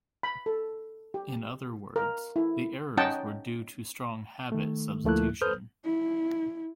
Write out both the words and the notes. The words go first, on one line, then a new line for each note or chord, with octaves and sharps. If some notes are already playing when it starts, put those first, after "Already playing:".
In other words, the errors were due to strong habit substitution.
B5
A4
G4
A#4
E4
C#4 D#4 D#5 F#5 G5 A5
D#3 A3
D2 F3 A3 A#3 E4 F#6
A4 B4 C5 D#6 F6 G6
E4